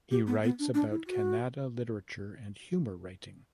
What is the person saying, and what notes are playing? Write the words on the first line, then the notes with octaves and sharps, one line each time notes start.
He writes about Kannada literature and humor writing.
G4
B3
B3
D4
D4
E4
F#4